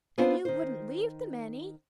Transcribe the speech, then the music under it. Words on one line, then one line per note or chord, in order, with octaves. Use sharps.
And you wouldn't leave them any?
B3 C4 D4 F4 C5
D#3 C5